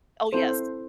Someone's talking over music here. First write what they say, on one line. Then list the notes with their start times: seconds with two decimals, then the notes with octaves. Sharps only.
Oh, yes.
0.33 C4 E4 A4 C5